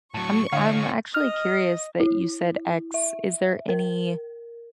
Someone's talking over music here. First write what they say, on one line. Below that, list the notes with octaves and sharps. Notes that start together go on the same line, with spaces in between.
I'm n I'm actually curious that you said "X." Is there any
A2 F#3 A5 C#6
A2 D3 C#4 D#5 F5
D#5 F6
E4
E5
A#4